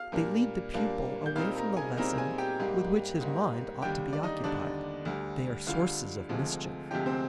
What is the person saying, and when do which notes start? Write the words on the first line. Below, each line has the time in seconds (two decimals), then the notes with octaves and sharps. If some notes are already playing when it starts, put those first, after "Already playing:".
They lead the pupil away from the lesson with which his "mind" ought to be occupied; they are sources of mischief.
Already playing: F5 F6
0.12 A#2 G3 A#3 D4
0.74 A#2 G3 A#3 D4
1.26 G6
1.36 A#2 G3 C4 D#4 F5 F6
1.56 A#4 A#5
1.77 G#4 G#5
1.97 A#2 G3 C4 D#4 A#4 A#5
2.18 G#4 G#5
2.38 G4 G5
2.59 G#2 G3 A#3
3.21 G#2 G3 A#3
3.82 D#2 D3 G3 G4 G5
4.13 D5
4.23 D#4 D#5
4.44 D#2 D3 G3 D4 D5
5.05 D2 D3 G3
5.67 D2 D3 G3 F4 F5
6.29 D2 C3 F3 G#3
6.91 D2 C3 F3 G#3 G4 G5
7.06 C4 C5